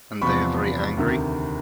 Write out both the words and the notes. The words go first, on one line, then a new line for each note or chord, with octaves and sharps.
And they are very angry?
E2 C3 F3 B5 C#6
D2 C3 D#3